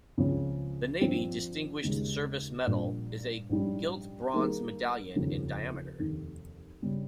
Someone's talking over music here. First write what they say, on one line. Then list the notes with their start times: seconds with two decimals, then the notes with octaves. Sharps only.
The Navy Distinguished Service Medal is a gilt bronze medallion in diameter.
0.18 C#2 C#3 F3 C4
1.01 G2 F3 C4
1.83 D#2 C#3 G#3
2.67 A#1 A#2 G3
3.50 A#1 G#2 G3 C#4
4.33 D#3 G3 A#3 D#4 G#4
5.16 F1 D#2 C#3 F3
5.99 F1 D#2 D#3
6.82 C#3 G3 C#4